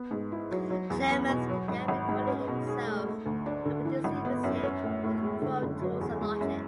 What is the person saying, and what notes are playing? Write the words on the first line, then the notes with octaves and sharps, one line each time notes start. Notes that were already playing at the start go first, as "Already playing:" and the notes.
Clemons began recording himself and producing music with Pro Tools and Logic.
Already playing: B3
G#2
E4
F#3
F#3
E2
B3
B2
F#3
G#1
G#1
G#2
C#4
B2
G#4
A3
A3
D2
D4
D3
E3
G#1
B3
F#2
C#4
A2
A2
G#3
D3
F#1
F#3
E2
G#3
F#2